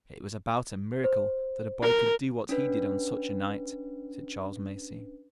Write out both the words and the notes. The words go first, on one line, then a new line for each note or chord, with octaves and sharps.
"It was about a miracle that a boy could do what he did on such a night," said Charles Macey.
C5
A#4
C#4 D4 B4